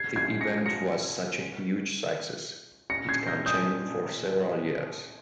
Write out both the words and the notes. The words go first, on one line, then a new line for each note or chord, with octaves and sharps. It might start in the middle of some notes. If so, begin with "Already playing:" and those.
The event was such a huge success, it continued for several years.
Already playing: G#6 C7
G#6 C7
A#6 C#7
A#6 C#7
A#6 C#7
G#6 C7
G6 A#6
D#6 G6